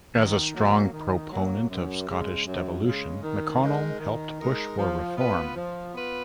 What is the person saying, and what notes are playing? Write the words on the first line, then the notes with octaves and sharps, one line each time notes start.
As a strong proponent of Scottish devolution, McConnell helped push for reform.
D#3
F#3 A#3
D#3
F#3 A#3
F#2
C#3 G#3
F#2
C#3 G#3
D#3
G#3 D#4 A#4
D#3
G#3 D#4 A#4
F3
B3 F4 B4
F3
B3 F4 B4